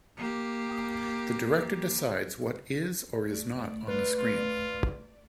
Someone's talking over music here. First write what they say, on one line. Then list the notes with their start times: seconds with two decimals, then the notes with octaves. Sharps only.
The director decides what is and is not on the screen.
0.17 A#3 G4
3.26 A3 D5
3.88 F4 B4
4.18 F4